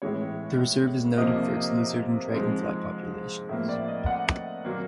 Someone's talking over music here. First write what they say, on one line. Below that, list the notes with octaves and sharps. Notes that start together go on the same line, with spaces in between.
The reserve is noted for its lizard and dragonfly populations.
A2 E3 G#3 C#5
C3 F3 A#3 D#5
G#2 F3 G#3
A2 F3 A#3 E5
D5
D#5
F#5
A#2 F#3 A#3